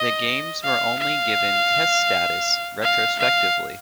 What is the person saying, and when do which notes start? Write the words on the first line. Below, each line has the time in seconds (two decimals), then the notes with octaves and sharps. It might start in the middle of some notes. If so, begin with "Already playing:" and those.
The games were only given Test status retrospectively.
Already playing: D#5
0.63 F5
0.99 F5
2.83 F5
3.19 F5